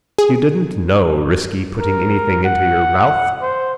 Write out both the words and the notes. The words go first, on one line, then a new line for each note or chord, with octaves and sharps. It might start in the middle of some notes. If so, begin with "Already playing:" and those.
If you didn't know risky putting anything into your mouth.
G#4
A#4
F#5
C5